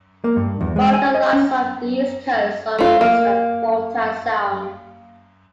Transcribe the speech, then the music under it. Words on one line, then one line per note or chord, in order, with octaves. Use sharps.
Balta lies off the east coast of Unst and Balta Sound.
A#3
G2
E2
G#3
G#5
D#5
C#4
A3 F4
A#3